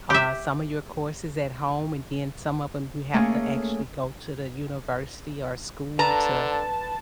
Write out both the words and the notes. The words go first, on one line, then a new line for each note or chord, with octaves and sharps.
u uh, some of your courses at home, and then some of ‘em you have to actually go to the university or school to,
G4 E5
A3 A#3 C#4 G#4
D3 B4 A5 A#5